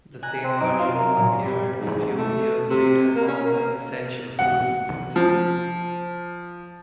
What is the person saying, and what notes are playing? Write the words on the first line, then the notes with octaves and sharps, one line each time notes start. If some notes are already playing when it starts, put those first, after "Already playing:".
The same version appeared a few years later on "The Essential Bruce Springsteen".
G#5 A#5 F#6
C4
F#2 D#4 D7
F4 C5
A#4
A#2 F#3
G3
G#2
A3
C3
A#3
C#4
A#3
F#5
F3